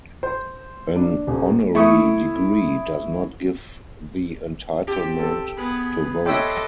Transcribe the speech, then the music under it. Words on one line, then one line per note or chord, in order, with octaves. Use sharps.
An honorary degree does not give the entitlement to vote.
C5
D4
D#1
A3 E4 C#6 D#6 C#7
C4 G4 A5
A4
B3 G#4 B5
A4 B4 C#5 D#5 E5 G5 C6 D6